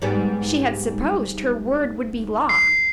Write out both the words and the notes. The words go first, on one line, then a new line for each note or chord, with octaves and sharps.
She had supposed her word would be law.
G#2 G3 B3
C7